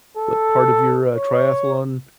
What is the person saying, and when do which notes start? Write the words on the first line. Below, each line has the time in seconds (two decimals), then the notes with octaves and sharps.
what, part of your, uh, triathlon,
0.17 A4
1.14 C#5